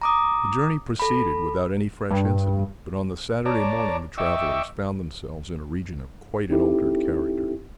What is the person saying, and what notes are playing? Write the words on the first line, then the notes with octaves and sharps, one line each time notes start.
The journey proceeded without any fresh incident, but on the Saturday morning the travellers found themselves in a region of quite an altered character.
A#5 D6 D#6
A4 B5
G2
C#5 D5 A5 A#5 D6
D#5 E5 G5 C#6 D6 E6
C4 D#4 E4 G4 A4